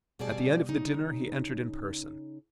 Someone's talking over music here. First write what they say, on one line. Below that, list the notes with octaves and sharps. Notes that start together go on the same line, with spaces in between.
At the end of the dinner he entered in person.
D2 B2 G3 G#4 D5 A5
C#3 D#4